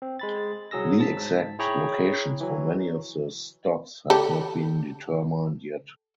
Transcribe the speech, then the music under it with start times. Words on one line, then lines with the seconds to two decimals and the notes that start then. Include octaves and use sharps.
The exact locations for many of the stops have not been determined yet.
0.02 C4
0.19 G#3 B5 A6
0.71 C2 F#3 G#4 E6 A#6
0.99 G#2 A5 B6
1.59 E4 G#4 C#5 G5 A#5 B5
2.41 E3 F#3
4.10 G4 A4